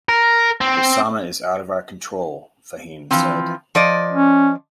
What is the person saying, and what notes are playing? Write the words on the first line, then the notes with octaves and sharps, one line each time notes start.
"Osama is out of our control," Fahim said.
A#4
C4
E3 F3 C4
F3 D5 D#5
C#4